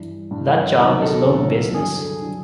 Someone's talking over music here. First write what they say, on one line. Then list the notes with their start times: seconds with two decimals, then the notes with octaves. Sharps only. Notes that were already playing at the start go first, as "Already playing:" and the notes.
That job is loan business.
Already playing: G2 E3
0.31 G2 E3
0.79 D2 C3 D#3 F#3 A#4
1.02 A4
1.26 D2 C3 D#3 F#3
1.74 G2 D3 F#3 G#4
1.98 A4
2.22 D3 F#3